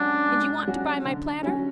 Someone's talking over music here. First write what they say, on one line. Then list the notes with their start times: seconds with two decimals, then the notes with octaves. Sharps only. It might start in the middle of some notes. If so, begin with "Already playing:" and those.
And you want to buy my platter.
Already playing: G#2 F#3 C#4 D4 F#4
0.28 G#2
0.67 F#3 C#4 F#4
1.05 D3
1.43 F#3 C#4